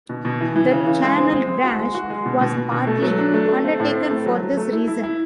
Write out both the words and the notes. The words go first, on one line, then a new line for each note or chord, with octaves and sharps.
The Channel Dash was partly undertaken for this reason.
B2
B2
E3
E3
C#3
E3
G#3
C4
C4
G#3
F#4
G#3
F#4
G#3
B2
B2
B2
B2
A3
F#3
D4
A3
A3
C4
A2
C4
A3
F#3
F#3
A3
E4
E4
E4